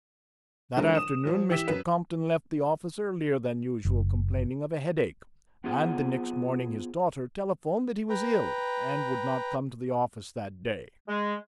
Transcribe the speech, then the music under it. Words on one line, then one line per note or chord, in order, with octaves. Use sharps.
That afternoon Mr. Compton left the office earlier than usual, complaining of a headache, and the next morning his daughter telephoned that he was ill and would not come to the office that day.
D3 E3 F3 G#3 D4 A#4
D#6 E7
F3 F#3
E3 G4 E6 B6 E7
F#2 B4
F#1
B3 C4 F4 G#4 F#5
B4 G5 A#5
G#3